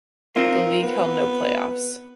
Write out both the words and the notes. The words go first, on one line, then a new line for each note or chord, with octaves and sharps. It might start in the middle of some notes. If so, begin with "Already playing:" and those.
The league held no playoffs.
C4 D#4 F4 A#4
B3